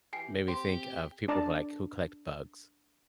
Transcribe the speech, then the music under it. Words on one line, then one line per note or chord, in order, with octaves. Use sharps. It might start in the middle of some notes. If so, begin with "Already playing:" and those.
made me think of people who like, who collect bugs,
E3 E4 G4 G5 G#5 C7
C4 G4 C5
D4 D5 A5 A#5